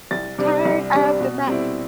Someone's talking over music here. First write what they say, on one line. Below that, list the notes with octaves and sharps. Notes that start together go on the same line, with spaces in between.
Return of the Mac.
C2 A6
C3 G3 D4
C2
C3 G3 D4
B2
G3 C4 E4